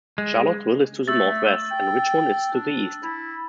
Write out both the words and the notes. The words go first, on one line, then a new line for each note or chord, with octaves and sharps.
Charlottesville is to the northwest, and Richmond is to the east.
G#3
A3 E6 A6
G5
D4
E4